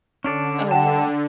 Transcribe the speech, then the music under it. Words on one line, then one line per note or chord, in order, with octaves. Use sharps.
Oh, yeah.
D3 C#4 D4 A4
F#5 G5 A5